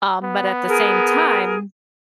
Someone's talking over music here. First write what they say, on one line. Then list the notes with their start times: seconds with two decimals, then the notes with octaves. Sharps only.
um, but at the same time,
0.24 B3
0.68 G#4 A#4